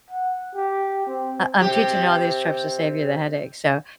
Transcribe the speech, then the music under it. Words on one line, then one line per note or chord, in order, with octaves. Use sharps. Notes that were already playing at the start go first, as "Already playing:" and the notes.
I'm teaching you all these tricks to save you the headache. So
F#5
G4
C4
C3 G4